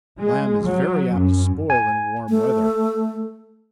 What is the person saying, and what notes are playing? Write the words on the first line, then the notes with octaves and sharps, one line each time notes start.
Lamb is very apt to spoil in warm weather.
G#3
F#3
F#2
G#5
A3